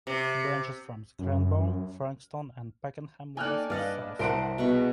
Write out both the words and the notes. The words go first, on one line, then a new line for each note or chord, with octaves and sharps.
Branches from the Cranbourne, Frankston and Pakenham lines at "South Yarra".
C3
F#2
A#3 D#4 A4 D5 G5 G#5 F6 F#6
G2 D4 B4 D5 D#5 F5 F#5
C2 A#4 C5 F#5 A5 C6 D7
B2 E4 F#4 G#4 B4 C#6